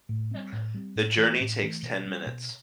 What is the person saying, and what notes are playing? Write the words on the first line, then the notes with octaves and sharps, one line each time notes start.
The journey takes ten minutes.
A2
G3 C4
A2
G3 C4
A2
E3 A3
A2
E3 A3
B2
G3 C4
B2